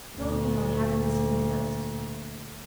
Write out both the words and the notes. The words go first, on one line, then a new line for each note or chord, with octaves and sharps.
He told me how he happened to see me first.
D2 A#2